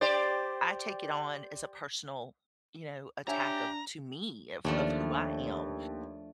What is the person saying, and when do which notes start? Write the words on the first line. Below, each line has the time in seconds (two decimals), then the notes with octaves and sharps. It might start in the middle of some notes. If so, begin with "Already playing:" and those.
I take it on as a personal, you know, attack of to me of of who I am
0.01 G4 C5 D5
3.27 D4 G4 C#5 E5 G#5 A#5
4.65 D#2 F3 A3 D4